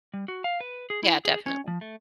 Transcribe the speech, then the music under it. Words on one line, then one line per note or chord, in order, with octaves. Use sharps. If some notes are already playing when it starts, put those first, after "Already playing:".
Yeah, definitely.
G3
F#4
F5
B4
G#4
E4
G#4
C#4
F3
A3